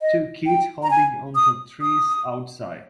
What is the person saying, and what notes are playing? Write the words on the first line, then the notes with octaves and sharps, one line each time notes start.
Two kids holding onto trees outside.
D#5
G5
A#5
G#5
D#6
D#6